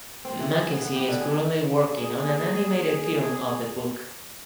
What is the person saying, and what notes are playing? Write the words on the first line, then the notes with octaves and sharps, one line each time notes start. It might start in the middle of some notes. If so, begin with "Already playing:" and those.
Mackesy is currently working on an animated film of the book.
C4
E3
G#4
B3
B3
G4
D3
G#4
A#3 G#4